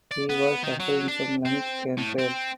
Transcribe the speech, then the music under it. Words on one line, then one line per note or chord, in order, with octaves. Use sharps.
He was suffering from lung cancer.
D5
B3
D#3
F#3
D4
C4
A2
C4